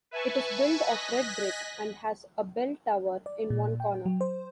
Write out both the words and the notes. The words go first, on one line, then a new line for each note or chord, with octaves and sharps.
It is built of red brick and has a bell tower in one corner.
B4 E5 G#5 A5 C#6
D#5 G#5 F#6 A#6 B6
D5
A#2
G5
F#3
C5